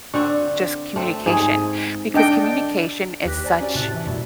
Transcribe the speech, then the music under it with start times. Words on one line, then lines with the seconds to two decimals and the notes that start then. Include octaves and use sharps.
just communication because communication is such
0.14 D3 C4 C5 C#6
0.96 A3 C4
1.26 G#2 G4 G#4
2.14 D3 D4 A4 D#5 G5
3.25 D#2 G4 B4 F#6 A#6 B6
3.44 C5 D5 G#5 A#5
3.61 C#4 F#4 G4 D5
3.75 A2 C3 A5 F#6 A6
3.94 E3 E5
4.06 F#2 B2 G3 A3 E4